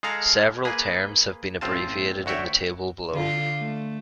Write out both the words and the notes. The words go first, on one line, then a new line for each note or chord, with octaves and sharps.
Several terms have been abbreviated in the table below.
G#3 G#4 A4 F5 A#5
A#3 G#4 B4
A1 C4 F4 A5
D2 F#4 C#5 E5 G5
D3 F4
A3